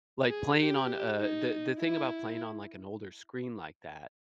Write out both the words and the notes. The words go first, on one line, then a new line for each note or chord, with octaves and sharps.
like, playing, on, uh, the the thing about playing on like an older screen like that
G#4
G4
D#4
E4